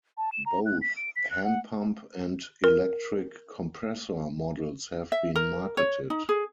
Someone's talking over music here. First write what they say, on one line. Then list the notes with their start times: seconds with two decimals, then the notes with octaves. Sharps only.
Both hand pump and electric compressor models have been marketed.
0.18 A5
0.32 E7
0.46 A#5
0.66 F#6
0.82 B6
0.97 D7
1.16 B6
1.31 F#6
1.44 F#5
2.64 A#4
5.12 E5
5.36 A#4
5.77 C#5
6.10 D#4
6.29 G#4